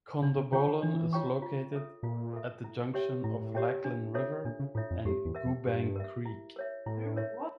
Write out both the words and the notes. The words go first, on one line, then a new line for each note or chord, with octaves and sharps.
Condobolin is located at the junction of Lachlan River and Goobang Creek.
C#3 D4
C#3
D3 F4 C#5 G5 C#6
D3
E3 D4
F4 C#5 G5 C#6
F4
A4 E5
A#2 F4
A4 E5
E4
G4 C#5 E5 G5
A2 E4
G4 C#5 E5 G5
D4
F4 A4 C#5 E5
A#2 D4
C#3
A2 F4 A4 C#5 E5
F2
F2 G4
E2
A#4 E5
F2
G2 G4
A#4 E5
E4
A#4 C#5 E5
A2 E4
A#4 C#5 E5